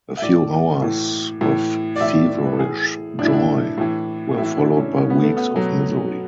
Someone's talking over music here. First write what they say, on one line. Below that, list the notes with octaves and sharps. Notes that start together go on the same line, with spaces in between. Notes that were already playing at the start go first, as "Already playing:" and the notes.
A few hours of feverish joy were followed by weeks of misery.
E5
A2 E3 D5
A2 E3
A2 E3
D5
A2 E3 E5
D5
D5
B4
A4
A2 E3 G#4
A2 E3 D4 E4
D4
A2 E3
A2 E3 E4
D4
C#4
B2 C#4
B3
A3
B3
B2 F#3